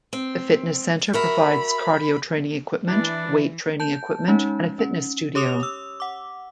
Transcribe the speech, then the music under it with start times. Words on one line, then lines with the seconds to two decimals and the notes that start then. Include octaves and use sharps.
The fitness centre provides cardio training equipment, weight training equipment, and a fitness studio.
0.13 C4
1.13 F#4 A#4 E5 B5
2.88 E3 D4
3.80 A5 G6
4.28 G#3 C#4 D#4
4.79 C#4
5.35 G4 C#5 D6 D#6 F7
5.63 E6
6.00 F#5 D6